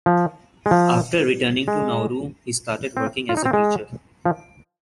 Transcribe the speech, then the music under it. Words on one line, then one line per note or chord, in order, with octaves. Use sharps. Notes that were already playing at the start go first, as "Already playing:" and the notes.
After returning to Nauru, he started working as a teacher.
F3
G#3
F3
G#3
C4
F4
D#4
C4
G#3
F3